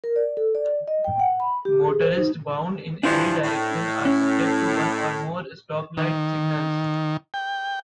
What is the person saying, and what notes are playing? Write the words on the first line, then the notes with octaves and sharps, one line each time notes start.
Motorists bound in any direction are subject to one or more stoplight signals.
A#4
D5
A4
D5
D#5
G5
F#5
B5
G4
G#4
C5
D#4
G2 E3 F3 D4 E4 C5
A2
C#4
D#3
G5